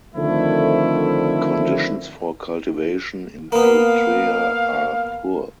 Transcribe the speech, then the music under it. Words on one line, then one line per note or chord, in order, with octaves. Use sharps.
Conditions for cultivation in Eritrea are poor.
D3 D#3 F3 A3 C4 E4
A#3 B3 F5